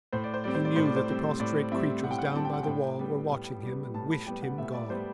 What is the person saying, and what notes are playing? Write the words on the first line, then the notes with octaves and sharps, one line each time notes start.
He knew that the prostrate creatures down by the wall were watching him and wished him gone.
A2 C5
D5
C5
G3 C4 D5
C5
D5
A2 C5
D5
C5
G3 C4
A2 D5
G3 C4 E5
A2 F#5
G5
F#5
G3 C4 A5
G5
F#5
A2 G5
G3 B3
A2
G3 B3
A2 A5
B5
G3 B3 G5
F#5
A2 E5
D5
G3 B3 C5